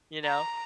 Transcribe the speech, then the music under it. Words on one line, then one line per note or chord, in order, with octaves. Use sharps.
you know?
A#5